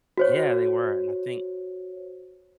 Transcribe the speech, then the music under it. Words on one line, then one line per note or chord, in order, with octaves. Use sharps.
Yeah, they were, and I think
F#4 C5 C#5